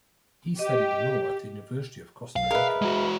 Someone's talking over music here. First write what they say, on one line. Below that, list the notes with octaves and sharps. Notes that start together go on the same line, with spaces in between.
He studied Law at the University of Costa Rica.
G4 D#5
B1 F5
G#4 A#4 B4 D#5 E5
G#3 F#4